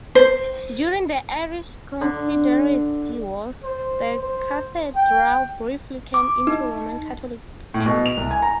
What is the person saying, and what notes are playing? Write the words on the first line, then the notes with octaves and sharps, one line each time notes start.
During the Irish Confederacy wars, the cathedral briefly came into Roman Catholic hands.
C5
D3
C5
C5
G5
D6
D#4
A2
B2
F7
C2
G#5
A#5